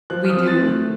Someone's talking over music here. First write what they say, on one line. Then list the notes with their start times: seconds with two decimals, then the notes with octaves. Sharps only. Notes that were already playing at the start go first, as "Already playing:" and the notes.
We do.
0.10 F3 F#6
0.25 F6
0.30 D#6
0.35 C4
0.48 A6
0.60 A3
0.67 F#6